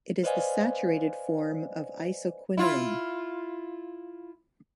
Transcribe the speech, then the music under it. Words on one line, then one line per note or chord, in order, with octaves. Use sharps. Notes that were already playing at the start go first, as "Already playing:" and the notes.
It is the saturated form of isoquinoline.
B4 C5 D5 D#5 F5 G#5
E4 F4